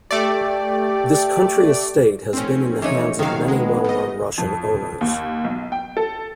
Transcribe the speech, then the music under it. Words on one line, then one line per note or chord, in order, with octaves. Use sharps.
This country estate has been in the hands of many well known Russian owners.
A3 G4 D5
F1 C4 C#4
E3 D#4 C#5
F#2 C3 D#3 F#3 F5
G#3 B3
A2 D#5
F2
D#2
B1
G5
A4